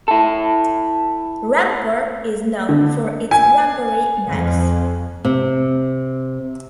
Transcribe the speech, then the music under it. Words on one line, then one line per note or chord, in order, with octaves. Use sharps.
Rampur is known for its 'Rampuri knives'.
E4 A4
D3
G#5
F2
C3